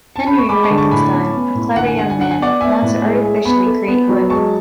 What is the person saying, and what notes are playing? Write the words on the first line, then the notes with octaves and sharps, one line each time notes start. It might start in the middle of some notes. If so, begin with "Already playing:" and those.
Henry Frankenstein, a clever young man, wants to artificially create life.
A5
B5
C#6
G#3 B5 D6
A5 C#6
D3
A5 C#6
A2 G#5 B5
C#4
B3
A2
D3 F#5
G#5
D3 F#5
G#5
D4 F#5
G#5
B3 D5 F#5
B3 E5 G#5
A2
G#3
G#4
B3 G#5 B5
A4
B3
F#3
G#3 A5 C#6